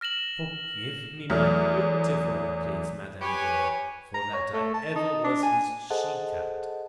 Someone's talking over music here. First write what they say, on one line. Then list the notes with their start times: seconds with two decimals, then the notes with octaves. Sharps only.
"Forgive me, my beautiful," pleads Madame Dor, "for that I ever was his she-cat!"
0.01 F6 A#6 E7 F#7
1.30 E2 F#3 A3 F6
3.21 G4 B4 C#5 G#5
4.14 A#5
4.33 C#5
4.54 A3
4.74 A5
4.96 D#4
5.24 D4
5.43 G#5
5.90 G#4 A4 C5 D#5 F#5 A5